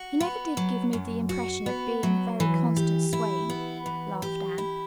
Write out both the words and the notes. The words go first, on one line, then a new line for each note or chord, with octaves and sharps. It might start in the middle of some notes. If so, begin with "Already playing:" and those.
"He never did give me the impression of being a very constant swain," laughed Anne.
Already playing: F#4
B3
F#3
F#2
F#4
B3
F#3
E3
G4
E4
B3
E3
G4
E4